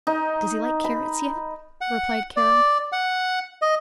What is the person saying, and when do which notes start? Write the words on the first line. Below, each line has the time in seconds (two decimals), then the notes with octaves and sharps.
"Does he like carrots yet?" replied Carol.
0.07 D#4
0.84 B5
1.81 F#5
2.37 D5
2.92 F#5
3.62 D#5